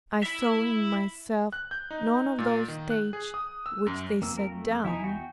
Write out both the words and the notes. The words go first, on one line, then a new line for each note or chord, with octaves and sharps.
I saw in myself none of those states which they set down.
E4 E5
F#6
G6
D#4
A#2
D#3
F#6
G#4
D#6
E6
F#2
F2 A#3 E6
A#4
A3
E2 D#4 E4 E5 G#5
F#4 G5